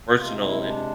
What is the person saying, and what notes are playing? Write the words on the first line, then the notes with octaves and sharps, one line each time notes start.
personal and
C3 G#3 F4
E4
E4
D4